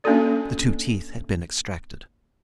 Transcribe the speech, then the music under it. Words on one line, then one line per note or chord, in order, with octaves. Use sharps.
The two teeth had been extracted.
A#3 C#4 D4 F#4 A4 D5